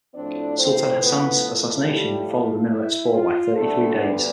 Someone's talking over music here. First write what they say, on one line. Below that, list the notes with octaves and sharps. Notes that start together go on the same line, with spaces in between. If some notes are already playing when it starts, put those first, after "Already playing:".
Sultan Hasan's assassination followed the minaret's fall by thirty-three days.
A2 F3 C4 D4 D5
C4 C5
B3 B4
G3 G4
F4
E4
F4
D2 D3 G3 A3 A4
B3 B4